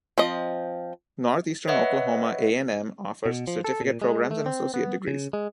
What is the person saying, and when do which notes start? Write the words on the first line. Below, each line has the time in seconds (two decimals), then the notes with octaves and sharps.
Northeastern Oklahoma A and M offers certificate programs and associate degrees.
0.18 F3 C4 D#5
1.68 B4 C#5 D#5 E5 F#5
3.26 B2
3.47 F3
3.65 A4
3.81 A#2
4.02 G#3
4.31 A3
4.46 C4
4.74 B3
5.08 C#3
5.33 G#3